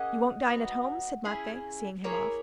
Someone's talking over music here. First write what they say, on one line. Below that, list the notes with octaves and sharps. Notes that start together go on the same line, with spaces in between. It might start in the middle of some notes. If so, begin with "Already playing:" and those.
"You won't dine at home?" said Matvey, seeing him off.
Already playing: A#3 C#4 G#4 D#5 F#5
B3 D#4 F#4
C#4 E4 G#4
A#3 E4 G#4 A#4 C#5